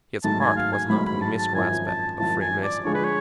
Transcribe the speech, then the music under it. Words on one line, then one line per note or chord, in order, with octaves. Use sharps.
His heart was not in the mystical aspect of Freemasonry.
G#1 G#2 F#3 A3 A5
G#5
F5
G#5
G#1 G#2 F#3 A3 B5
B5
A5
A5
G#1 F#2 F3 G#5
A5
G#1 F#2 F3 A5
G#5
D5
D3 F3 G#3 C#5
B4
C#5